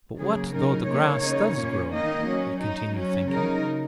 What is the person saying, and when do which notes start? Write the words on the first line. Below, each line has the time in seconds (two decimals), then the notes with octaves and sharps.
'But what though the grass does grow?' he continued thinking.
0.17 C#3 F#3 A#3 G#4
0.52 C#3 F#3 D#4 A#4
0.87 C#3 A#3 D#4 C#5
1.22 C#3 A#3 D#4
1.56 A#2 A#3 C#4
1.91 D#3 A#3 D#4 D#5
2.26 F#3 C#4
2.60 F#3 D#4
2.95 F#3 C#4
3.29 C#3 F#3 D#4 A#4